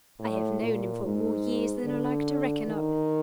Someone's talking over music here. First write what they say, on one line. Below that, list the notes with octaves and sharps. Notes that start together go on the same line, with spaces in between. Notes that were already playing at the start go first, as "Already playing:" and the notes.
I have known him for more years than I like to reckon up.
A2
A#2
G#2
D3
D#3